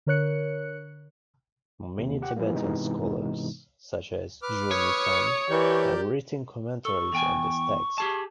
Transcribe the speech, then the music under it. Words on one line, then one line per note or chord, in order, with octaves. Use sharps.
Many Tibetan scholars, such as Ju Mipham, have written commentaries on this text.
D3 A#4 C#5 F#6 C#7
D#2 C3
G4 F#5
E3 F3 G3 A3 A#3
G#2 C3 E3 G#3 B3 D#4
B4 D6 F6
C#5 D#6 C#7
E3 G4 A#4 D5 G6
A4 C#6
E2 G5 G#5
G4 G#4 A5